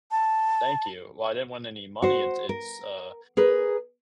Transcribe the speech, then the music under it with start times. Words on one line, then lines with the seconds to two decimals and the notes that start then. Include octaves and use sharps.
Thank you while I didn't win any money, it's it's a
0.11 A5
2.02 F#4 C5
2.49 A#4
3.37 G#4 A#4 B4